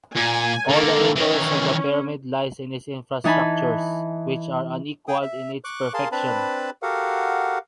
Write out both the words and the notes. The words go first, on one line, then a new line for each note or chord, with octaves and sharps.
All the interest of the pyramid lies in its infrastructures, which are unequalled in its perfection.
A#2 G#5
D3 A#3 A4
D#3 E3 C#4
E3 D#4 G#5 A5 B5
G#4 G5 D#6
E5
C#6 D6 F#6
G#4 A#4 F5 A5 C6
C4 D4 B4 A5 B5
F#4 G4 A4 A#4 F5 F#5